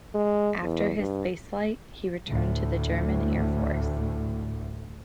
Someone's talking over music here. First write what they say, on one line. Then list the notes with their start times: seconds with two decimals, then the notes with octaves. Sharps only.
After his spaceflight, he returned to the German Air Force.
0.14 G#3
0.62 E2
0.99 G2
2.28 D2 A2